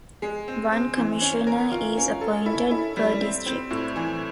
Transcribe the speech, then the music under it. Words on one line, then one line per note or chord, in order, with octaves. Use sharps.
One commissioner is appointed per district.
G#3
C4
C4
E3
C#4
A#4
F4
C#4
A4
E4
E4
G3
C4
C4
A2
E3